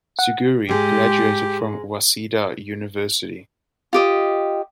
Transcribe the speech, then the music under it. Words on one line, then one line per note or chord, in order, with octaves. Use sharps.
Suguri graduated from Waseda University.
F#5
G#2 G#3 G4
F4 G4 D#5